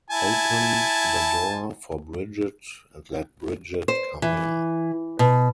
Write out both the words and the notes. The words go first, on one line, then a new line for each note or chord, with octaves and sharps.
Open the door for Bridget and let Bridget come in.
E4 G#5 A5
C5
E3
B2